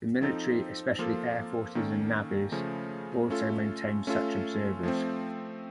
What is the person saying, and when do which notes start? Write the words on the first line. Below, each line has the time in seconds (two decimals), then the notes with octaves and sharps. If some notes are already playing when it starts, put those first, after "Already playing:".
The military, especially air forces and navies, also maintains such observers.
0.21 F3 C4 D#4 A4
0.99 F3 A#3 F4 A4
1.75 D#3 A#3 C#4 A4
2.52 C#3 F3 A3 C#4
3.30 A3 C#4 F4 A4
4.07 A3 C#4 F4 A4
4.83 F3 A3 C4